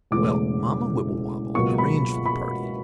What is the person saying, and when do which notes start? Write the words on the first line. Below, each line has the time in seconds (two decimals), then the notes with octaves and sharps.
Well, Mamma Wibblewobble arranged for the party.
0.11 E1 E2 C#3 E3 A3 D6
1.55 C#2 B2 F#3 A#3 C#6
1.78 B5
2.26 B5